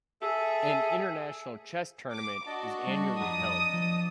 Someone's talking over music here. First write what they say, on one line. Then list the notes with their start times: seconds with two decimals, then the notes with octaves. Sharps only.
An international chess tournament is annually held.
0.22 G#4 A4 E5
2.13 D6
2.47 D4 F#4 D#5 A5
2.87 G3
3.21 F2 A#5 D#6
3.73 F3